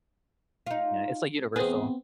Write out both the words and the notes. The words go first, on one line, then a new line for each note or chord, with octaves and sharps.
Yeah, it's like universal.
D#4 F4
E2 B3 C4 G#4